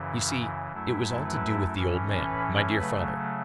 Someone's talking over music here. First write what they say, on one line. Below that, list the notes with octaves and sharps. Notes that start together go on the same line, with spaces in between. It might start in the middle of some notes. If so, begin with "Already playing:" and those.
You see, it was all to do with the old man, my dead father.
Already playing: F#2 C#3 E3
F#2 F#3 A3 E4
B4
A2 E3 C#4
B4
C#3 F#3 A3 B4